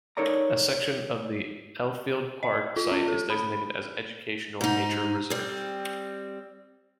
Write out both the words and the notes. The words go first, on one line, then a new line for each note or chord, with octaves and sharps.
A section of the Elfield Park site is designated as an educational nature reserve.
D#4 A4 A#4 C#5 D5 A#5
D#5
F4
C#4
A4
B5
G#2 D#4
G3 C4